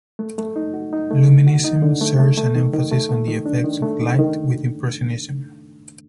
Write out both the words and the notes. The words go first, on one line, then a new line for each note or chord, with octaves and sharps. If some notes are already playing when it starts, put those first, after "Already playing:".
Luminism shares an emphasis on the effects of light with impressionism.
A3
A3
D#4
F#4
D#4
A3
D3
F#4
D#4
D3
A3
A3
A3
D#3
D#3
A3
A3
D#3
D4
D#3
A3
D#3
D#3